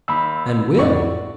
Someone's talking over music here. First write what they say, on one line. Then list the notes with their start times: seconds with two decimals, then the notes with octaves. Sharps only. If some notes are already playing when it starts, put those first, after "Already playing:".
"And will?"
0.08 D#2 B5 E6
0.79 F2 A2 D5 F#5 C#6